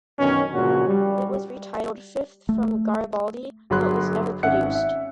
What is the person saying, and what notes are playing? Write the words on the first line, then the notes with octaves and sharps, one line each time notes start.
It was retitled "Fifth From Garibaldi" but was never produced.
F#2 B2 D3 D#3 C#4
G2 A#2 C#3 F3 G#3 F#4
G3
A3
G1 F#3 G#4 B5 C6 F#6
G#1 C#4 E5 F#5 F#6 C#7
E5